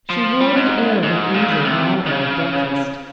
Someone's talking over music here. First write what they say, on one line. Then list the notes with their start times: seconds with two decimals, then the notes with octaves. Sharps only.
She wore the air of an injured martyr at breakfast.
0.09 F3
0.40 G3
0.56 G#2
1.03 G#2
1.34 A#2
1.50 C#3
1.65 C3
2.06 D#3
2.11 C#3